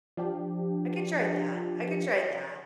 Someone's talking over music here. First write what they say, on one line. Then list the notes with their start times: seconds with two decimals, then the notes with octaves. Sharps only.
I could try that, I could try that.
0.17 F3 D4 G4